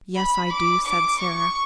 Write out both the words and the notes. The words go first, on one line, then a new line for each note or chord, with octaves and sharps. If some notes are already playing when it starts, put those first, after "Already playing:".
"Yes, I do," said Sara.
B5
D6
D6
C#6